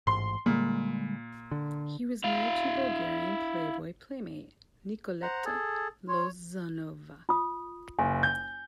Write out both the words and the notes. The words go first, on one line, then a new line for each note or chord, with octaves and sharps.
He was married to Bulgarian Playboy Playmate Nikoleta Lozanova.
A1 G#2 C6
A#2 D3 G3 G#3
D3
E4 F5
C5 F#5 A#5
G#4 A4
C#5 C6
F4 D#6
F#1 G#5
G6